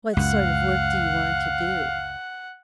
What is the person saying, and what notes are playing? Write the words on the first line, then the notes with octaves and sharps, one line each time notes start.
"What sort of work do you want to do?"
C#2 F#2 F5 F#5